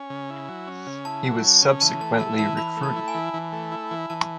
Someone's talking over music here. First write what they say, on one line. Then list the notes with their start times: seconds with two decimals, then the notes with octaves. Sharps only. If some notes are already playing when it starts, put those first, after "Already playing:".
He was subsequently recruited.
Already playing: C#4 G#5
0.10 C#3
0.30 E4
0.48 F#3
0.67 C#4
0.87 C#3
1.05 E4 A5
1.24 F#3
1.44 C#4
1.62 C#3
1.81 E3 A5
2.00 A3 A5
2.20 E4 A5
2.39 E3 A5
2.57 E3 B5
2.77 A3
2.83 A5
2.96 E4
3.08 G#5
3.15 E3
3.33 E3
3.53 A3
3.72 E4
3.91 E3
4.10 E3 A5